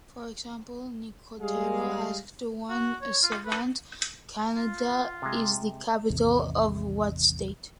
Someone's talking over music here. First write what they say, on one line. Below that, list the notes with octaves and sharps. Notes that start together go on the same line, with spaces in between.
For example, Nicotero asked one savant, Canada is the capital of what state?
G3 G#3 G#4 F5
F#4
C#5
F4
B4
F4
C3 G#3
A1 E2 C3 D#3